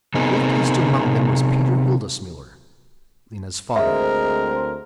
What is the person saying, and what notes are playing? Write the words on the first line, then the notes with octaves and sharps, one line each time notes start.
Thriftiest among them was Peter Hildesmuller, Lena's father.
C3 B3 C4 D#4 G#4 A#4
D2 G#3 C4 A#4 C5 E5